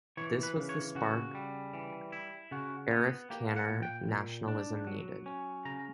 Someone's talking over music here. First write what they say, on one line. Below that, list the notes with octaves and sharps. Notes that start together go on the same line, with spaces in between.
This was the spark Afrikaner nationalism needed.
E3 C#5
B4
C#3
C#5
C#3 F#4
G3
E3
E4
C#3 F#4
B3
A#3 G4
F#5
A#2
G5
A#2
D4
F#3
C#4
C#3 A#5